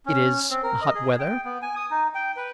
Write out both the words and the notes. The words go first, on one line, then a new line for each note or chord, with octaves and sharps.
It is hot weather.
C#4
C4
A#4
D#5
G#4
G5
B3
G#5
D#6
D#4
G5
B4